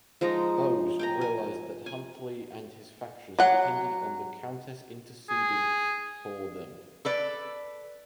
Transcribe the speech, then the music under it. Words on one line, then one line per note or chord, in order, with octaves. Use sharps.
Bowes realised that Huntly and his factions depended on the Countess interceding for them.
F3 G#3 D#4 A#5
G5 G#5 A#5
G#5
G#5
F#3 F#5
G#4
A4 B4 D5